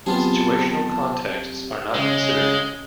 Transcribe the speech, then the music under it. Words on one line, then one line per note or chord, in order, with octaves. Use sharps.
Situational contexts are not considered.
F#3 B3 C4 F4 G4 G#4 A5
C#3 G#3